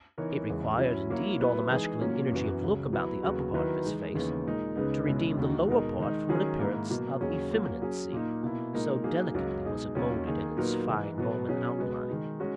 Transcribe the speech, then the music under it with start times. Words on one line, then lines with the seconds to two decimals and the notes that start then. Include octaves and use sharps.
It required, indeed, all the masculine energy of look about the upper part of his face, to redeem the lower part from an appearance of effeminacy, so delicately was it moulded in its fine Norman outline.
0.18 E3 B3 D#4 A#4 C#5
0.48 E2 C#3 E3 G#3
0.79 F#3 C#4 E4
1.09 F#3 A#3 E4 A#4 C#5
1.40 F#3 B3 E4 B4
1.71 E3 G#3 D#4 G#4
2.01 A#2 F#3 A#3 C#4
2.32 F#2 E3 B3 F#4
2.62 C#2 C#3 F#3
2.93 F#3 B3 E4
3.23 D#2 C#3 F#3 B3 F#4
3.54 D#3 F#3 B3 E4 B4
3.84 E3 G#3 D#4
4.15 D#2 C#3 E3 B3 D#4
4.46 A#2 G#3 D#4 A#4
4.76 C#2 C#3 G#3 B3 D#4
5.06 C#2 B2 G#3 C#4 E4
5.37 D#2 D#3 G#3 D#4 F#4
5.68 B2 G#3 D#4 A#4
5.99 D#3 G#3 D#4
6.29 D#3 F#3 C#4 G#4
6.59 G#2 D#3 A#3 E4 A#4
6.90 B2 F#3 A#3
7.21 D#2 C#3 F#3 C#4 G#4
7.51 F#3 A#3 C#4
7.82 F#3 C#4 G#4
8.12 A#2 A#3 D#4
8.43 B2 A#3 E4
8.73 A#2 G#3 D#4 A#4
9.04 F#3 A#3 D#4 G#4
9.34 C#2 C#3 F#3 A#3 C#4
9.65 B2 G#3 D#4 G#4
9.95 D#2 D#3 F#3 C#4
10.26 D#3 A#3 D#4 G#4
10.57 A#2 F#3 B3 D#4 A#4
10.87 G#2 E3 G#3
11.18 B2 F#3 B3
11.48 B2 F#3 C#4 G#4
11.79 B2 G#3 B3 F#4
12.10 D#3 G#3 D#4
12.40 G#3 C#4 F#4